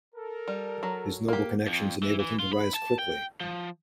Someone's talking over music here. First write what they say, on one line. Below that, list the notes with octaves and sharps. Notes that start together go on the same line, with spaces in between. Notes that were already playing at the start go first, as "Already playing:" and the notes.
His noble connections enabled him to rise quickly.
A4 A#4
G3
F#3
A#3 G4
F2
E3
E3
F4
B5
A5
G5
F3